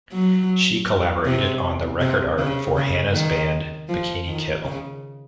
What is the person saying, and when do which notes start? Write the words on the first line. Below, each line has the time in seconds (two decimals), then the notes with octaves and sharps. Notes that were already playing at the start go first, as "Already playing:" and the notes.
She collaborated on the record art for Hanna's band, Bikini Kill.
0.14 F#3
1.26 C3
2.00 C3
2.38 C#3
2.77 C#3
3.14 D#3
3.89 F3
4.27 D#3
4.64 C#3